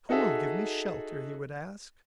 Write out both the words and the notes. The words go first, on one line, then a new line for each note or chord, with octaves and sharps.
"Who will give me shelter?" he would ask.
D#4 F#4 G#4 A4 D#5 E5